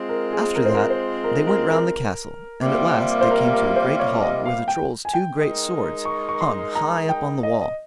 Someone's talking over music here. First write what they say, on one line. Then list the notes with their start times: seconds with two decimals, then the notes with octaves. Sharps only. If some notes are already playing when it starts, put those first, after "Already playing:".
After that they went round the castle, and at last they came to a great hall, where the Trolls' two great swords hung high up on the wall.
Already playing: G#3 C4 F4
0.09 A#4
0.32 G#4
0.55 A#4
0.66 C5
0.75 A#4
0.90 C5
1.24 A#4
1.47 A#4
1.70 A#4
2.62 C3 G3 A#3 F4
3.21 C5
3.31 A#4
3.53 A#4
3.76 C5
4.00 C#5
4.23 D#5
4.45 F5
4.68 G5
5.05 G#5
5.14 G5
5.37 G#3 D#4 A#4
6.05 C#6
6.29 C#6
6.41 C6
6.75 A#5
7.09 G5
7.43 D#5
7.61 D#5